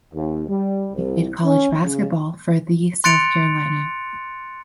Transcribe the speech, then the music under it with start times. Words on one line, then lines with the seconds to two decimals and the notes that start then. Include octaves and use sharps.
He played college basketball for the South Carolina.
0.14 D#2
0.49 G3
0.93 C2
1.44 C#4
1.83 C#3
3.04 C6 F#6 A6 C#7 D7 F7